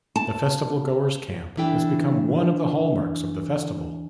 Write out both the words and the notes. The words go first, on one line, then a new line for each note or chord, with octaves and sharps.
The festivalgoers' camp has become one of the hallmarks of the festival.
A5
E3 D4 E4 A4 G5